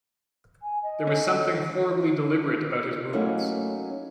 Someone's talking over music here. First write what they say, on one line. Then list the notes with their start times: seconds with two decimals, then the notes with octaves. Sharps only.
There was something horribly deliberate about his movements.
0.62 G#5
0.83 D#5
1.07 C#4 A4
3.13 F#3 A3 A#3 C#4 D#4 E4